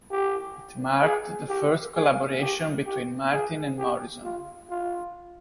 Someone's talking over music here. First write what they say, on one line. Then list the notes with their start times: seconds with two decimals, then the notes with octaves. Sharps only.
It marked the first collaboration between Martin and Morrison.
0.11 G4
1.02 G#4
1.49 G4
1.95 G#4
2.40 G4
2.86 G4
3.32 G#4
3.78 G4
4.24 F4
4.70 F4